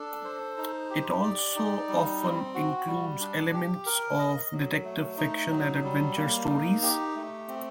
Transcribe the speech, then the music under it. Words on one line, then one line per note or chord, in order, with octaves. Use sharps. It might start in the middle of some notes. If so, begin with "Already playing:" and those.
It also often includes elements of detective fiction and adventure stories.
Already playing: D4 A4
C5
D#4
G4
D5
D#4
G3
C4
F#4
G3
D4
G4
A#4
D#5
F#3
A3
D#4
F#3
G3
A#3
D#4
G4
A3
C4